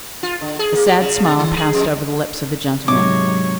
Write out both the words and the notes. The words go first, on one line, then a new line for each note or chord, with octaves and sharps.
A sad smile passed over the lips of the gentleman.
F4
D3
G#4
A#3
G4
C#3
B2
D#3
G#4
F2
G#2 C3 F#3 G#3 C#5 D6